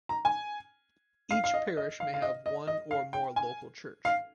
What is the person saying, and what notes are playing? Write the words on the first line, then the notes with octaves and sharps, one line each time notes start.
Each parish may have one or more local church.
A#5
G#5
F5
F5
D#5
D#5
F5
F5
D#5
D#5
D#5
F5
G5
G#5
F5